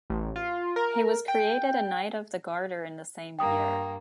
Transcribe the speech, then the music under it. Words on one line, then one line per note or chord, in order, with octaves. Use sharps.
He was created a Knight of the Garter in the same year.
A1
F4
A#4
G5
G2 A#3 G5 D#6